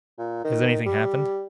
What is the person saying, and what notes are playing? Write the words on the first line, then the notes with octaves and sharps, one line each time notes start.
"Has any thing happened?"
A#2
D#3
G3